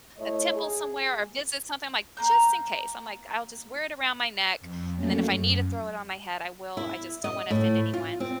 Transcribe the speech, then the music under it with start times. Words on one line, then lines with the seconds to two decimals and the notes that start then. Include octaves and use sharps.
a temple somewhere or visit something," I'm like, "Just in case," I'm like, "I'll just wear it around my neck, and then if I need to throw it on my head, I will, I just don't wanna offend anyone."
0.18 A3 E4 C#5 D#5
0.55 G#4
2.17 A#3 A#5 G6
4.61 F2
4.96 F#3 A3 A#3 C#4
5.30 F#2
6.77 E4
7.24 D#5
7.51 A2
7.94 F4
8.20 C4